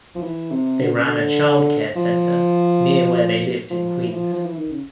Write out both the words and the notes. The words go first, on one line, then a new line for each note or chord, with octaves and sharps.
They ran a child-care center near where they lived in Queens.
F3
E3
C3
D3
C#3
D3
F3
F3
E3
F3
F3
E3
D#3
C#3